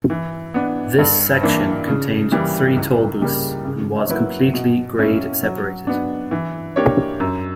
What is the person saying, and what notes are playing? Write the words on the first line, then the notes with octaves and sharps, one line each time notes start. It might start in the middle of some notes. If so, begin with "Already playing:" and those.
This section contained three toll booths, and was completely grade-separated.
E3
B3 D4
G2
E3 A#3 D4
C#3
E3 G3 A#3
C#2
C#3 G3 A#3
C#3
F#3 A#3 E4 B4
B2
A#3 C#4 E4 A#4
F#3
B3 D4
E3
A#3 D4 G4 C#5
F#2